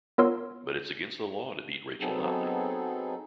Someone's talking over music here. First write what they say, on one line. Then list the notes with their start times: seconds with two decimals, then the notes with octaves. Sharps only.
But it's against the law to beat Rachel Notley.
0.18 B3 F4 A#4 C#5 C6 E6
2.00 F#3 B3 C4 D#4 G#4 A4